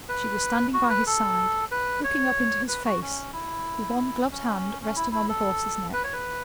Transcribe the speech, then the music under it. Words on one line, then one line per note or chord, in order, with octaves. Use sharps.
She was standing by his side, looking up into his face, with one gloved hand resting on the horse's neck.
B4
F#4
B4
A4
B4
C#5
B4
F#4
C#4
E4
C#4
C#4
E4
E4
A4
B4
C#5
B4